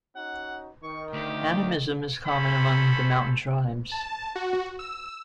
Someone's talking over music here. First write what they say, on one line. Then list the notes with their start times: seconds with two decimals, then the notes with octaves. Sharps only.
Animism is common among the mountain tribes.
0.15 C#4 D#4 F#4 F#5
0.83 D#3 C#6
1.13 D2 G4
2.27 C#4 A4 C5 B5
3.92 A5
4.35 F#4
4.79 E6